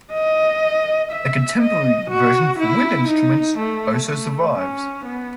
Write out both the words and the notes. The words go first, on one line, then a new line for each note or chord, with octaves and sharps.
A contemporary version for wind instruments also survives.
D#5
E5
D#5
F#4
E4
D#4
A3
A3
C#4
B3